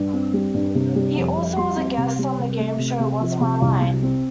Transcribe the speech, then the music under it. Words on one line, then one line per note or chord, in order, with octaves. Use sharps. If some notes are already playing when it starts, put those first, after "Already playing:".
He also was a guest on the game show What's My Line?
Already playing: G2
C4
G3
G2
C3
G3
F2
F2
G3 C6
C4
C3
G3
C3
A3
C3
C3
F3
C3
C2
C3
C4